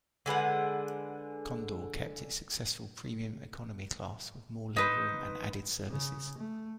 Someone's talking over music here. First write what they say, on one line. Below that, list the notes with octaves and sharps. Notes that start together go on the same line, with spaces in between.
Condor kept its successful Premium Economy Class with more legroom and added services.
D3 G#3 B4 F#5
D#4 B4 C5
C#3
A3